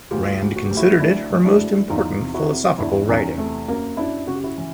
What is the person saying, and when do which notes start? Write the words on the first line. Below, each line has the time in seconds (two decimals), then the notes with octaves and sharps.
Rand considered it her most important philosophical writing.
0.11 D2 F4 G4
0.42 D2
0.56 F#4
0.66 D2 G4
0.77 E4 F#4
1.00 D2 D4 E4
1.30 D2
1.44 D4 E4
1.60 D2
1.89 E2 D#4 F4
2.19 C3
2.34 E4 F#4
2.50 C3
2.78 E2 D4 E4
3.09 E2 C#4 D#4
3.38 C3 A3
3.68 F#2 A#3
3.97 F#2 D4 E4
4.27 C#3 F#4
4.35 G4
4.44 E4 F#4
4.58 E3